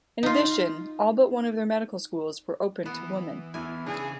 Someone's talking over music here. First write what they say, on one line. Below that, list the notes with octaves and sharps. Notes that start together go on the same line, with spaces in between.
In addition, all but one of their medical schools were open to women.
D#4 F4
E3 B3
E2 E4 G#5
C#3 E3 D4 G#4